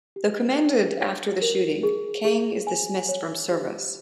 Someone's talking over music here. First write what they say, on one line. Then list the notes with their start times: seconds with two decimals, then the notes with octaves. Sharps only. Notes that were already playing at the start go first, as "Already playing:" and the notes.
Though commended after the shooting, Kang is dismissed from service.
0.16 G4
0.58 G5
1.00 C#5
1.42 A#4
1.83 G#4
2.25 G#4
2.67 G#5
3.09 C#5
3.51 G4